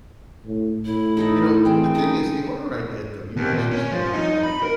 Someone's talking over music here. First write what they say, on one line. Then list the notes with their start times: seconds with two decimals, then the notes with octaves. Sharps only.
You know, the thing is the older I get, though, you mentioned Shanghai,
0.45 A2
0.85 A2 E4
1.17 D#4 A4 D#5
1.65 E3 G#3 C4 G5
1.95 C#4 D#4
3.37 D#2
3.54 A#2
3.71 C#4
3.92 F3
4.13 D#4
4.43 B5
4.62 A#4